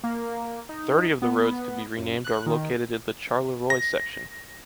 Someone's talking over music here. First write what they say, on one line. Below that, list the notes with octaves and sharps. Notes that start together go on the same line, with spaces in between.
Thirty of the roads to be renamed are located in the Charleroi section.
A#3
D#4
B3
F#2
F#6
D#3
A#6